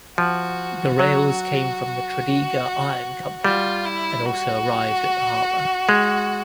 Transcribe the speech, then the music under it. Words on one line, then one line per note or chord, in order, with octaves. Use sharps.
The rails came from the Tredegar Iron Co, and also arrived at the harbour.
F3 F#4
F#3
G3 F4
E4
F#4
G#3